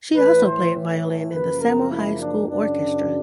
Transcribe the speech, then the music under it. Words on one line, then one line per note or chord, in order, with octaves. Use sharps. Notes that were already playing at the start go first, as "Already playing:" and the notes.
She also played violin in the Samohi school orchestra.
A2 E3 A3 B4
C5
F#2 C#3 F3 A#3 B4
A#4
E4
D4
F#2 C#3 F#3 D4